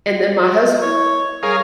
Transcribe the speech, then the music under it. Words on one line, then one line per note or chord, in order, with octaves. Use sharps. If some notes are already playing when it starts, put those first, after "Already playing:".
And then my hus
G3
D#5
E4 C#5
G3 G#4 A#4 C#5 F5